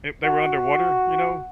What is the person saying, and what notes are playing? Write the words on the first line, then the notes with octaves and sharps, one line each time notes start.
they they were underwater, you know?
F#4